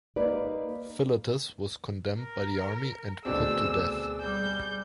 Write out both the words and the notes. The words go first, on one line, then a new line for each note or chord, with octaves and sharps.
Philotas was condemned by the army and put to death.
A#3 D#4 B4 D5
A#4
D2 B2 C4 D4 G#4 E6
G3 G6